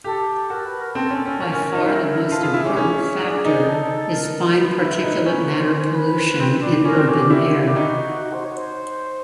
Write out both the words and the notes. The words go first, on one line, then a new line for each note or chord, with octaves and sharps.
By far the most important factor is fine particulate matter pollution in urban air.
G4 A4
F#4 A#4
B4
A#4
C4 A4
C#4
C#4
C#4 A#4
C#4
C#4
D#4
E4
F4 A4
F4 G#4
E4 G#4
C#4 G4
C#4 G#4
D4
D#4
A4
A#4
C5
B4
E4
D#4
C#4
C5
B4
C4
D4
D4
C#4 A#4
C4
C#4 G4
D4
E4
D#4 F#4
F#4
C5
C#5
C5